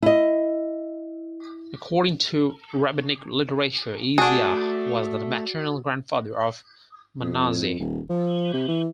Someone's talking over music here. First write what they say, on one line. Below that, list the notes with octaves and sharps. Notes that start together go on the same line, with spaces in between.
According to rabbinic literature, Isaiah was the maternal grandfather of Manasseh.
E4 D#5
A3 D4 F#4 G#4 A5
F2
D#1
F3
C3
E3